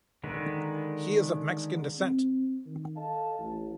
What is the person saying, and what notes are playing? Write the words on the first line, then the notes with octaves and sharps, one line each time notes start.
He is of Mexican descent.
D3 D#3 G#3 B4
C4
D#3
A4 D#5 F5 A5
A1